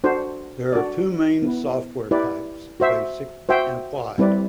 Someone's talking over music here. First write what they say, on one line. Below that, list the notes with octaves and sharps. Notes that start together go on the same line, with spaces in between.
There are two main software types: basic and applied.
D4 F#4 A4 C5
D4 F#4 A4 D5
B3 E4 B4
E4 G4 B4 D5
F#4 C5 E5
F#4 C5 E5 G5
G3 C4 E4 B4 D5